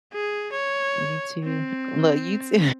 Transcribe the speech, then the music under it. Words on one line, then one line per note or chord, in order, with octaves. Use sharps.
You too? Well, you too.
G#4
C#5
C4